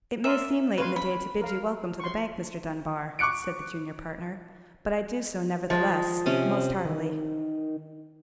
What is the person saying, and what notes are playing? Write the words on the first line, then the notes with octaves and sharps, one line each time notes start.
"It may seem late in the day to bid you welcome to the bank, Mr. Dunbar," said the junior partner, "but I do so, nevertheless--most heartily!"
A#4 D5 E5 C6
B4 C#5 F5 C6
B5
A#4 F5
C6 C#6
C#6 D6 F#6 C#7 D7
F3 G#3
C3 C#4
D#3